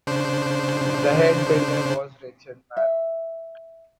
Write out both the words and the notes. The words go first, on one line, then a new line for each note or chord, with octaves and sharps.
The head builder was Richard Marrone.
C#3 D4 C5
E5